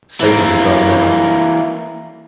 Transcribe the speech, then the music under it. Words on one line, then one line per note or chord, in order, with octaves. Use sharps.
Satan had gone down.
E3 A#3